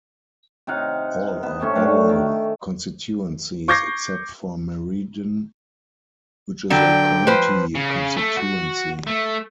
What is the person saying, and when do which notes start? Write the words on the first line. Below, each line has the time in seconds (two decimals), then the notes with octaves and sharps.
All are borough constituencies except for Meriden, which is a county constituency.
0.67 C3 D#4 F5 F#5
1.43 B3 A5
1.60 C3 A3 C#4 C#6
1.75 A2 A3 D4 F5
2.09 D#3
3.68 C#6 D6 G6 G#6 A#6 C7
6.70 D3 F#3 G5
7.27 F3 B4 C5
7.75 C#3
8.17 A3
8.37 F#4
9.07 A3